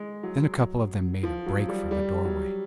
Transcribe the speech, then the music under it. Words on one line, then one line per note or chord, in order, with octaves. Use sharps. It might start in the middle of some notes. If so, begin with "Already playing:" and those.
Then a couple of them made a break for the doorway.
Already playing: G#3
F#3
F3
F#3
G3
G3
F#3